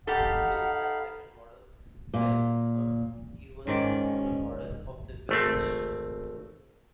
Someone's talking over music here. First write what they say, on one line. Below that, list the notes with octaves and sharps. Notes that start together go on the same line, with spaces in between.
Within that second model there is a third, even smaller model of the village.
D#4 G4 A4 F5 F#5 B5
A#2
G#2 D#3 C#4 D5
G#1 A3 C4